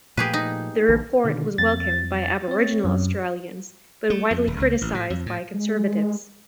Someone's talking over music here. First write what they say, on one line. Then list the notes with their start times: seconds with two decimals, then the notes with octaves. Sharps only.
The report was welcomed by Aboriginal Australians but widely criticised by conservatives.
0.17 A#2 F3 A3 G4 G#4 B4
0.34 D#4
0.89 A#1 D3 E3
1.24 B2 D3 D#3
1.58 F2 A6
2.48 C4 C#5
2.84 F#2
4.10 A3
4.31 F2
4.47 D#1
4.60 C#2
4.81 A1
4.94 A2
5.10 F2
5.26 A2
5.54 G#3